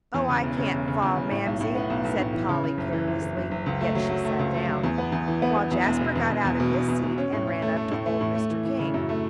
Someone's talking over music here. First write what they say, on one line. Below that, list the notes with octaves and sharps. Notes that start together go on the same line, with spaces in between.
"Oh, I can't fall, Mamsie," said Polly, carelessly, yet she sat down, while Jasper got out of his seat and ran up to old Mr. King.
E2
C#3
E1
C#3
E1
C#3
E2
C#3
A2
B1
A2
B3
B1
B1
A2
E3
C#3
C#3
F#1
E3
F#1
E3
F#1
F#1
C#2
A3
F#3
F#3
A3
C#2
A3
F#3
E2
B3
E2
E3
B3
B3
E2
E1
B2
E2
E2
E2
B2
E2
E2
B2
C#4
A2
C#4
A3
A3
A2
A3
A2
A3
E3
E3
C#3
F#2
A3